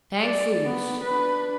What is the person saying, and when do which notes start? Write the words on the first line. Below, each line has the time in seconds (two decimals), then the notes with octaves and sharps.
Chang Foo's!
0.22 D5
0.64 B3
1.04 D4 B4